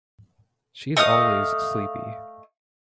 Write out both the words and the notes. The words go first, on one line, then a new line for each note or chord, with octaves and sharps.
She's always sleepy!
A3 D#5 F5 D#6